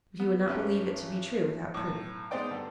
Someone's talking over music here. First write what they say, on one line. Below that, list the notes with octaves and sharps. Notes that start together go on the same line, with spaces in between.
But he would not believe it to be true without proof.
B3
G#1 C#4 G4 B4 E5
B1 A2
G#3 B3 D#4 C5 D5 G5
G2 D3